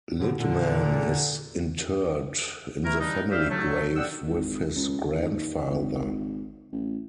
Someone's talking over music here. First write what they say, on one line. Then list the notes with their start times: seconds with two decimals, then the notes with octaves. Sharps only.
Lidman is interred in the family grave with his grandfather.
0.19 A2 D3 F3
0.38 A#2 D3
2.84 E3 A3 E4 F#4 A#4
3.00 G3 D4 D#4
3.32 G3 G4 C5 D5 E5 F5
3.50 F#3 A3
3.96 D5 F#5 G5 D#6 E6
4.30 G#1
4.75 C#2
5.10 D#2
5.70 G#1
6.72 A1